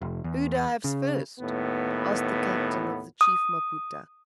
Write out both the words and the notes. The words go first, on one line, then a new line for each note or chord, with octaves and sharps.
"Who dives first," asked the captain of the Chief Maputa.
F1
E2
C#3
D#2 A2 B3
D#6